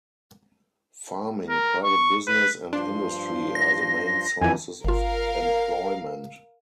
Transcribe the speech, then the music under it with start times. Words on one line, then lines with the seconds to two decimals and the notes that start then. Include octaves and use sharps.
Farming, private business and industry are the main sources of employment.
1.49 A#4
1.84 C#6
2.27 B4
2.73 G2 F3 D4 C6
3.55 A#6
4.42 F2 E3 F3 A#3 D#4 G#5
4.85 G1 F4 A#4 F5